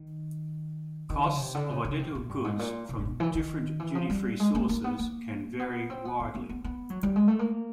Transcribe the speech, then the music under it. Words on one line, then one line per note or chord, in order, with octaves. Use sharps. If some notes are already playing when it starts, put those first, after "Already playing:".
Costs of identical goods from different duty-free sources can vary widely.
Already playing: D#3
D#3
D3
C#3
C3
D3
C#3
C#3
C3
B2
G2
G#2
A#2
C3
A#2
B2
E3
D#3
E3
F3
G3
G#3
A#3
A#3
B3
A#3
B3
C4
B3
B3
B3
B3
B3
F#3
G3
G#3
A3
A#3